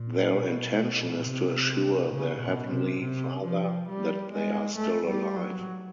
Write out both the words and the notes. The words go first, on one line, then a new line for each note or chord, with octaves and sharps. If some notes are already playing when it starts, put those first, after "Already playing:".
Their intention is to assure their heavenly father that they are still alive.
Already playing: A#2
B2
C3
C#3
B2
C3
C3
F3
G3
G#3
A3
G3
F#3